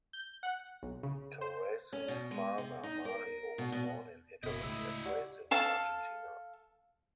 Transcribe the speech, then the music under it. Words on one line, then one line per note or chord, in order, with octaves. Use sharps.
Taurasi's father, Mario, was born in Italy, and raised in Argentina.
G6
F#5
B1
C#3
C5
C#4
B2
G#3
C3
D#4
A#4
B2
B2
F#1 B2 E4 D#5
C#2 A2 E6
G4 D5 F#5
A4 F5 A5